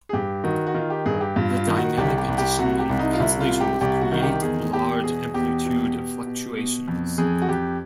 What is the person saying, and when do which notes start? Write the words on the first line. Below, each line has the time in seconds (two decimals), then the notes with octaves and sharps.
The dynamic addition and cancellation will create large amplitude fluctuations.
0.09 G#4
0.13 G2 G4
0.44 D#3 F#4
0.67 F#4
0.74 D#3 F4
0.90 G4
1.06 G2 G#4
1.21 G4
1.36 G2 F4
1.57 F4
1.67 D#3
1.77 F#4
1.97 C2 G4
2.18 G4
2.28 C2
2.38 G4
2.59 C3 F#4
2.79 G4
2.89 C2
2.99 D#4
3.13 F4
3.19 C2 E4
3.40 F4
3.50 C3
3.61 G4
3.81 C2 G4
4.01 F#4
4.12 D#3
4.22 G4
4.42 E2 G#4
4.73 E2 G4
5.04 B2 G#4
5.34 E2 G4
5.65 B2
5.95 B2
6.26 B2
6.57 B2
6.88 F2
7.18 F2 G#4
7.42 F#4
7.48 F2 G4